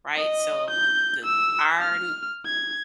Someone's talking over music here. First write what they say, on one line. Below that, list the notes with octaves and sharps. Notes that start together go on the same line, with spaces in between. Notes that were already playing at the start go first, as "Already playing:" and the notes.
right? So the our n
D#5
G6
E6
F6
G#6